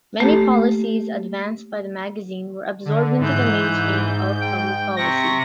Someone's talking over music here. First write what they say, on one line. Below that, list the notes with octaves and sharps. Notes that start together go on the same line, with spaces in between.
Many policies advanced by the magazine were absorbed into the mainstream of public policy.
A3 A#3 G4 A4
D3
G#2 E3 G6
G5
C3 C#6 A#6